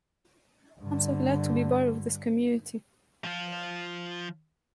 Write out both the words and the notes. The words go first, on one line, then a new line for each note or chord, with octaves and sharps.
I'm so glad to be part of this community.
G2 D3
F3 F4